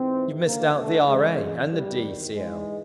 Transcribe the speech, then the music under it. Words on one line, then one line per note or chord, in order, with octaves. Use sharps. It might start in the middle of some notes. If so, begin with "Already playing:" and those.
"You've missed out the R.A., and the D.C.L."
Already playing: G#2 E3 C4
F#2 D3 A#3
A3
F2 C#3 E3 G#3
E2 C3 D#3 G3
G#2 E3 G#3